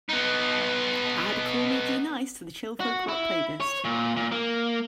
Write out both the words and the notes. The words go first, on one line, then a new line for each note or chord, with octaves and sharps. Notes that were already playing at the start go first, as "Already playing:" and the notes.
Add Call Me D-Nice to the Chill Folk Rock playlist.
B3 D#4
F#4
E4
C#5
A#2
A#2
A#3